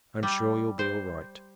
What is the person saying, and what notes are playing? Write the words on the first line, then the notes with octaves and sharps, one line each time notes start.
I'm sure you'll be all right.
G3
C5